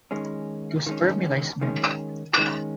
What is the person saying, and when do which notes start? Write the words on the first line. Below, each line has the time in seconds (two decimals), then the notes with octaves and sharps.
To 'spermulise' men.
0.11 D#3 G#3 C#4
0.87 D#3 G#3 C#4
1.61 D#3 G#3 C#4
2.38 D#3 G#3 C#4